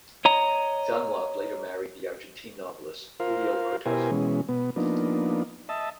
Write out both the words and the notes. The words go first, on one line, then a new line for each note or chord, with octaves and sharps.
Dunlop later married the Argentine novelist Julio Cortazar.
C#5 D#5 A#5
F4 A#4 C5 F5
B2 E4 G4 A#4 C5 G#5
B2 E3 G#3 C#4
B2 B3
F3 A#3 B3 D4 D#4
D#5 E5 A5